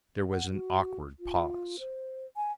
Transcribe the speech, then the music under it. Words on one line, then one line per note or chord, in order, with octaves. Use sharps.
There was an awkward pause.
F#5
F#4
F4
C5
G#5